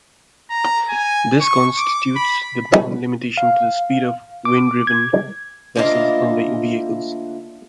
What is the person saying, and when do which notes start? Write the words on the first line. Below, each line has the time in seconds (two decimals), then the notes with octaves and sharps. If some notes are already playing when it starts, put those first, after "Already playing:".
This constitutes the main limitation to the speed of wind-driven vessels and vehicles.
0.50 A#5
0.89 G#5
1.41 C#6
1.78 D6
2.16 B5
3.37 F5
4.45 D6
4.87 G#6
5.75 D2 A#3 D4 E4 F4 D#5